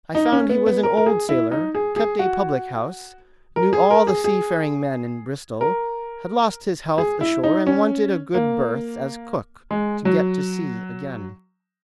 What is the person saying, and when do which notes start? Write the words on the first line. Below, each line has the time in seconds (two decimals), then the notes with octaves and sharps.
I found he was an old sailor, kept a public-house, knew all the seafaring men in Bristol, had lost his health ashore, and wanted a good berth as cook to get to sea again.
0.15 D#4
0.32 C#4
0.49 B3
0.66 B3
0.83 A#4
0.97 A#4
1.06 G#4
1.29 E4
1.52 D#4
1.75 G#4
1.96 G#4
2.19 F#4
3.56 A#4
3.73 G#4
3.91 A#4
4.07 G#4
4.24 G#4
5.61 A#4
6.98 G#4
7.21 E4
7.43 D#4
7.67 C#4
8.34 A#3
9.71 G#3
10.05 F#3